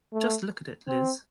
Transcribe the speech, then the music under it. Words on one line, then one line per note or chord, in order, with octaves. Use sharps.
Just look at it, Liz.
A3
C4